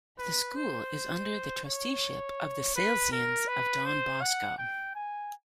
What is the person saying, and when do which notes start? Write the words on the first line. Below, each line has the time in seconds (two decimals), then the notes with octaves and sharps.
The school is under the Trusteeship of the Salesians of Don Bosco.
0.19 B4
0.56 C5
1.65 C#5
2.76 B4
3.12 A#4
3.48 B4
3.85 C5
4.22 F#5
4.58 G5
4.95 G#5